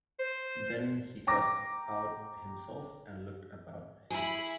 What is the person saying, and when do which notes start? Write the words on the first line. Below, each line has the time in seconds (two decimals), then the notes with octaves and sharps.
Then he got out himself and looked about him.
0.19 C5
1.27 G5 A#5 D6 A#6
4.10 E4 G#4 B5